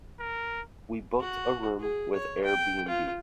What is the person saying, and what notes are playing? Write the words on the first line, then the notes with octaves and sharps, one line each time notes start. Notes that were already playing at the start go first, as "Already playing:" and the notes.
We booked a room with Airbnb.
A#4
F#4
G#4
C#5
G5
F4